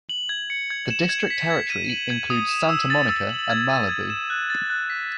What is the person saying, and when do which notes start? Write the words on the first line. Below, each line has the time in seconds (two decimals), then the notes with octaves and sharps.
The district territory includes Santa Monica and Malibu.
0.09 F#7
0.29 G#6
0.50 C#7
0.70 G#6
0.90 E7
1.09 G#6
1.30 B6
1.50 G#6
1.70 D#7
1.90 F#7
2.10 G#6
2.30 D#6
2.49 E7
2.69 E6
2.90 A6
3.09 E6
3.29 F#7
3.50 G#6
3.69 D#7
3.89 G#6
4.10 E7
4.30 F#6
4.50 A6
4.70 F#6
4.90 B6